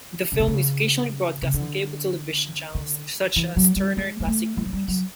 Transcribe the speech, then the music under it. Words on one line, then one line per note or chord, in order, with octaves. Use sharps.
The film is occasionally broadcast on cable television channels such as Turner Classic Movies.
C#3
C3
C#3
C#3
D3
D3
E3
F#3
G3
G#3
G#3
A3
G#3
F#3
G3
F#3